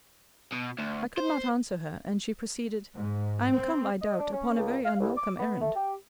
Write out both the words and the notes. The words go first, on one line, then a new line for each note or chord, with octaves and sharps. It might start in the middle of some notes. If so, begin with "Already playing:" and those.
I could not answer her, and she proceeded--I am come, I doubt, upon a very unwelcome errand.
B2
D2
C5
G#2
C4
D#5
D4
C#4
C#2
F5
C2
D6
B3
A3
G4